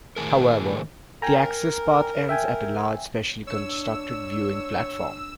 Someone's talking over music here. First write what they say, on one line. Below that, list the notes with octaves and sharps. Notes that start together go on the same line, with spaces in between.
However, the access path ends at a large specially constructed viewing platform.
A2 D#3 G#3 G#4 A#4
A#4 G5 G#5 A#5
E5 G5 G#5
D4 C#5 E6